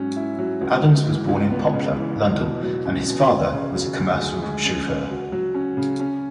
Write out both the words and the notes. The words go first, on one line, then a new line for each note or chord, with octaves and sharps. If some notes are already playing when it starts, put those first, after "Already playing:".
Adams was born in Poplar, London, and his father was a commercial chauffeur.
Already playing: G#2 F#3 C#4
E4
F#3
C#2
C#3
E3
C#2
B3
C#3
E3
E2
B2
F#3
C#4
B2
C#4
C#3
F#3
D2
G#4
G#3
C#4
C#3
F#4
F#3
C#4
C#3
C#4